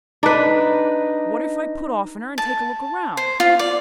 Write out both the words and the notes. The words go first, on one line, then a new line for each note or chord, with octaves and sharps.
'What if I put off in her and take a look round?
D4 D#4 B4
A5
C5
F4
D5